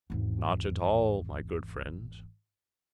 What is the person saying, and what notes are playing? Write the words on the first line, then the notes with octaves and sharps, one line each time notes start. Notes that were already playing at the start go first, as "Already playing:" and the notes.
"Not at all, my good friend."
G#1 E2